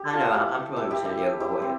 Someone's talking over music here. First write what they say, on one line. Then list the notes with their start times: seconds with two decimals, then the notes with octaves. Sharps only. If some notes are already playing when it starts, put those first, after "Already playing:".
I know. I I'm familiar with San Diego, La Jolla.
Already playing: G4
0.13 F4 A4
0.35 E4 G4
0.76 E4 G4
0.91 E4 G4
1.05 E4 G4
1.40 E4 G4
1.62 C4